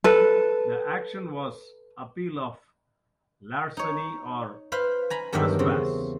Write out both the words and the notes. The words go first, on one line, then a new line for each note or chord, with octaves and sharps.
The action was appeal of larceny or trespass.
A4 B4
D#4 C#5
B4 C5 F5 B5 C6
G#5 A#5 B5
E2 G2 D#3 F#3 G4 E5
C#3 C4